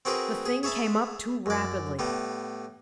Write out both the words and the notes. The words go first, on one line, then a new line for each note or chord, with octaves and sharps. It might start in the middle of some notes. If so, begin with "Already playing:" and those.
The thing came up too rapidly.
C4 F#4 G#4 A#4 B4
G#4
G#4 C#5 E5 A5 B5
F#2 D5
A2 G3 B3